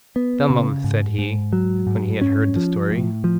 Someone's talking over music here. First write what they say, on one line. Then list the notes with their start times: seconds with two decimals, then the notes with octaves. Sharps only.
"Dum 'em," said he, when he had heard the story.
0.16 B3
0.50 C#3
0.84 G#2
1.19 G#2
1.53 F#3
1.87 G#2
2.21 C#4
2.56 F3
2.91 A2
3.24 F3